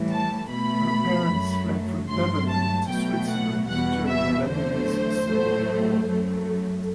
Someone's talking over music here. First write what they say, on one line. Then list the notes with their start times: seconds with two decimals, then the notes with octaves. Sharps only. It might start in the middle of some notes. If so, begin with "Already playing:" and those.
Her parents fled from Lebanon to Switzerland during the Lebanese Civil War.
Already playing: A2 E3 G3
0.11 A5
0.50 B2 A3 B5
1.30 F#2 F#3 A3
2.09 G2 F#3 A3 C6
2.49 A5
2.89 B2 F#3 A3 G5
3.29 F#5
3.68 E2 B2 G3 F#5
4.08 E5
4.47 E2 D3 F#3 A3 C5
5.27 A2 F#3 A3
6.06 F#2 F#3 A3